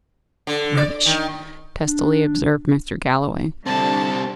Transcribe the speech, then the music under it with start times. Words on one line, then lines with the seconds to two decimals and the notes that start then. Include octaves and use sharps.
"Rubbish!" testily observed Mr. Galloway.
0.47 D3
0.77 D5
1.06 D#3
1.85 D4
3.66 D3 G3 C4 D4 A5